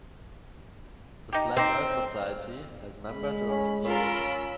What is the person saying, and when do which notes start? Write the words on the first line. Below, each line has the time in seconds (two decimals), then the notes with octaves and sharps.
The Flat Earth Society has members around the globe.
1.33 D#4 G4
1.57 C4 D#4 G4 G5
3.08 G#3 B5
3.50 C#4
3.85 C#4 F4 A#4 B5 E6